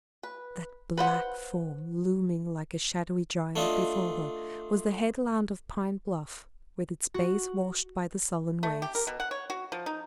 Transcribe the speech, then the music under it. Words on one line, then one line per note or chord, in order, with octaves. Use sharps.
That black form looming like a shadowy giant before her was the headland of Pine Bluff, with its base washed by the sullen waves.
B4
B4 C5 F#5
A3 D4 F4 D#5
F#4
A3
G4
A#4
B2
F#5
C#5
F#4
F3
D#4